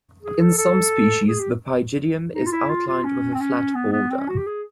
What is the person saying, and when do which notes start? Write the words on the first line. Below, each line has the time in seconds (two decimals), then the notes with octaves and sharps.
In some species the pygidium is outlined with a flat border.
0.23 G#4
0.40 A4
0.57 A4
1.28 G#4
1.40 G4
2.34 D#4
2.46 F4
2.52 E4
2.69 F4
2.87 F4
3.04 C#4
3.34 C4
3.40 C#4
3.75 B3
3.93 B3
4.11 C4
4.20 C#4
4.28 F#4
4.37 G4
4.47 G#4